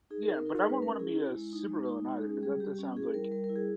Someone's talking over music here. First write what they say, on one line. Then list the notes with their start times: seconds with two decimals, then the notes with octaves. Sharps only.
Yeah, but I wouldn't wanna be a supervillain either 'cause that just sounds like
0.10 D#4 G#4
0.23 A#4
0.28 D#4
0.34 A#4
0.45 D#4 A#4
0.58 G#4
0.64 G#3
0.69 B4
0.82 C#4 A#4
0.99 E4 G#4
1.18 E4
1.36 G#3
1.53 D#4
1.70 G#3
1.89 D#4
2.07 G#3
2.25 C#4 G#4
2.42 G3 G#4
2.60 G3 G4
2.79 C#4
2.96 E4 G#4
3.14 G3 A#4
3.32 G3 A#4
3.44 A#4
3.49 E4
3.56 G#4